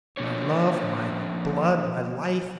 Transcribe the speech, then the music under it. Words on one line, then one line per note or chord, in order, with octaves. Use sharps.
My love, my blood, my life!
F3 A3 A#3 D4 C#5